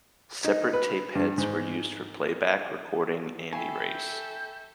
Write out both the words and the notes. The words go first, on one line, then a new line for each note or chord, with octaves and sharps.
Separate tape heads were used for playback, recording, and erase.
D#4
B4
G2
G#2
A4 E5 G5 G#5 B5 C#6 C7
G6